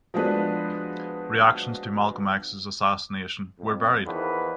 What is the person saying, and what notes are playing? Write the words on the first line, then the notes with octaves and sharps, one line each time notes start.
Reactions to MalcolmX's assassination were varied.
F3 G#3 B3 D4 F#4 B4
F2
E2 D#3 F3 B4